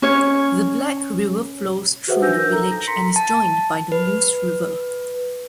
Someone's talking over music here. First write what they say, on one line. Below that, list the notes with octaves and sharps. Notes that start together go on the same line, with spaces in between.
The Black River flows through the village and is joined by the Moose River.
C#4 C#5
F#4 G#4 B4 C5 E5 F#5
D4 D#4 E6 G6 A#6
D4 A#4 G6
A4 A#5
A#6
A#5 C6 B6 C#7
A5
B4